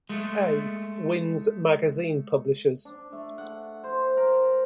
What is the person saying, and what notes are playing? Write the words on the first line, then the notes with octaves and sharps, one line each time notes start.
A. Wyn's Magazine Publishers.
G#3 A3
D4
A3
F#5
C5
A#4